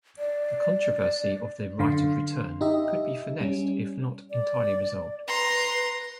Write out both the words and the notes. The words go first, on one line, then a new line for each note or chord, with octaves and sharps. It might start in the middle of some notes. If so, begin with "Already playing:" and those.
The controversy of "the right of return" could be finessed if not entirely resolved.
D5
F#2 D3 F5 C6
D#4 G4 D#5 E5
G3 C#4
D5
B4 A#5 C6